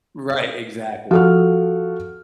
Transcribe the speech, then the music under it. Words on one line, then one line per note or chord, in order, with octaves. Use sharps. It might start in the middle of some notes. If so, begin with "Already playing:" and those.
Right, exactly.
F3 F#4 A4 F6